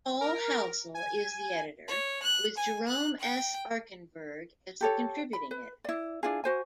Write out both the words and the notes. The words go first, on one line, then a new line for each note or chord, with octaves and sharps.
Paul Halsall is the editor, with Jerome S. Arkenberg as the contributing editor.
A#4
G#5
C#5
F#6
G#5
F#6
G5
G4 A4 C#5
B5
B4
E4 D5
D4 E4 F4 G#4
F#4 C5 G#5